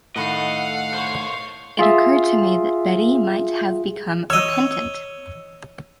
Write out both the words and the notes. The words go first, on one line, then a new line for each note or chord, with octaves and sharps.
It occurred to me that Betty might have become repentant.
A2 D#3 A3 A4 D#5 F5 F#5
C5 C#5
F4 G#4 E5
C#5 D#5 E6